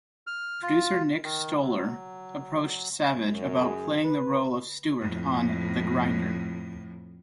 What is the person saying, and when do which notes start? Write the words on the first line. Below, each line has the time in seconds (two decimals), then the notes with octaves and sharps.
Producer Nick Stoller approached Savage about playing the role of Stewart on "The Grinder".
0.27 F6
0.63 F4
1.24 D#3
1.61 F#3
3.14 F#2
3.62 G#4
4.04 B4
5.01 F2 A2